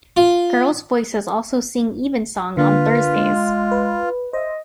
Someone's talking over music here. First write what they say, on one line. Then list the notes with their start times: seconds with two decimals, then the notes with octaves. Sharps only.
Girls' voices also sing evensong on Thursdays.
0.17 F4
2.57 D3 A#3 D4 F4 B4
3.15 G#3
3.71 B4
4.33 C5 D#5 E5